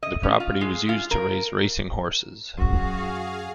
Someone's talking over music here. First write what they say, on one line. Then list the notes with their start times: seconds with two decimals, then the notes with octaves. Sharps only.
The property was used to raise racing horses.
0.03 D#5
0.23 C#4
0.40 F4
0.61 G#3
0.89 F4
1.11 A#4
2.58 F#2 F#4 G#4 F5